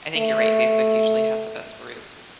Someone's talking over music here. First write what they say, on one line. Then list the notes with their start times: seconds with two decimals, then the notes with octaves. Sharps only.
I think you're right, Facebook usually has the best groups.
0.17 A3